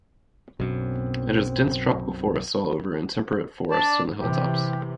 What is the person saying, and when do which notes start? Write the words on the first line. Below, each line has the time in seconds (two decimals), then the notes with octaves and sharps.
It has dense tropical forests all over and temperate forest in the hilltops.
0.60 B1 F#2 B2 C4
3.71 D4 D5 A5
4.20 C3 E3 G4